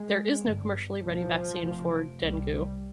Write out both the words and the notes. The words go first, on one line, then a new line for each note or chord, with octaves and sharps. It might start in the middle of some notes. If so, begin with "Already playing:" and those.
There is no commercially ready vaccine for dengue.
Already playing: G#3
G1 G2
C2 A#2 F3
F1 F2 C3
C2 C3 G3